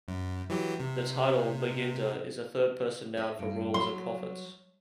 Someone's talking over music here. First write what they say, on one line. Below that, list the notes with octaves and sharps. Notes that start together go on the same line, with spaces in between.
The title "baginda" is a third-person noun for royals and prophets.
F#2
E3 F#3 G4
C3
D#5 E5
G2
F#3 C6